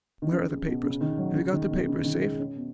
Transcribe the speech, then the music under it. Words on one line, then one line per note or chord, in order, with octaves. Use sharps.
Where are the papers?--Have you got the papers safe?
D#3
C#3
C#3
B2
C#3
D#3
F#3
C#3
D#3
B2
C#3
D#3
G#3
C#4
B2